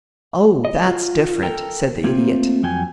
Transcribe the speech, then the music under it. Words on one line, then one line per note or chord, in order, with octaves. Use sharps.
"Oh, that's different," said the Idiot.
D#5
F4
A4 A#4 G5
A3 A#3 C4 F4
F2 F#3 G5 G#5